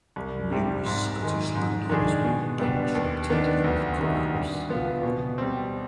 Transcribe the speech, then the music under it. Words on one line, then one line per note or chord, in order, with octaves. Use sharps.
Numerous Scottish land owners were bankrupted in the collapse.
C2
C3 G3 C4
G#2
D#3 G#3
G#2
D#3 G#3 D4 G#4
B2
G3 B3 D4
D#2
D#3 B3 D4
D2
C3 D#3
G2
F3 B3 F4
B2
G3 C4